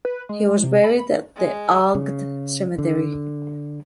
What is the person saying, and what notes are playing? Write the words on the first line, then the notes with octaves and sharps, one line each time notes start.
He was buried at the Agde cemetery.
B4
G#3
C3
B5
G#3
C#3
D3